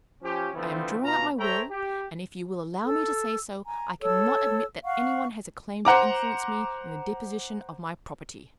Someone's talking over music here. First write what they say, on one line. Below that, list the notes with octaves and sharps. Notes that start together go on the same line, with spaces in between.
I am drawing up my will, and if you will allow me to say so, I cannot admit that anyone has a claim to influence me in the disposition of my Property.'
F3 C#4 G4
D3 E3 F3 A3 B3 C4
B2 F4 F5 A#5
A4 C5 C#5 E5 G5 A#5
G4
A4 E6
G#5 A#5
A4 C#5 E6
F5 F#5 C#6
C5 F#5 A#5 D6